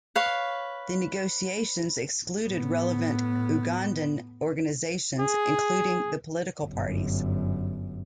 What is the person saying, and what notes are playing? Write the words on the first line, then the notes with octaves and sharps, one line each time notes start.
The negotiations excluded relevant Ugandan organisations, including the political parties.
B4 C#5 F5
A2 B3
G#4
G1 F#2